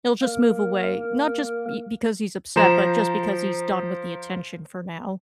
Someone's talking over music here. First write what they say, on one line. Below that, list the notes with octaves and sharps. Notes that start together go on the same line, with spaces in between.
he'll just move away, not just b because he's upset, but just because he's done with the attention for now.
A#3 A#4
F3 C5 A#5 E7